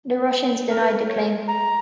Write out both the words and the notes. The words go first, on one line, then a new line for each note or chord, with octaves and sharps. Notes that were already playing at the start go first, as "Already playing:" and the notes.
The Russians denied the claim.
A#4
B4
A#4
C#5
A#5